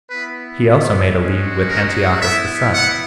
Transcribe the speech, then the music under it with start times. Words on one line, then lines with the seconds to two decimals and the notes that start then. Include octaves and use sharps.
He also made a league with Antiochus the son.
0.10 B3 E4 B4
1.16 G#3 C#4 F#4
1.69 A#4
2.22 B3 E4 E5
2.74 F#5